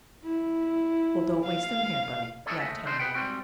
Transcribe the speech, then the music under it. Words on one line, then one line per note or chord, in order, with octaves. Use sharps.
"Well, don't waste them here, Bunny," laughed Henriette.
E4
F5
D#4 E4 F#4 G#4 A4 C#5
D#2 A3 D#5 E5
D#3 E3 D4 D#4 C5
G#4 B4 F#5 G5
G#2 F#3 G3 C4 F#4 G5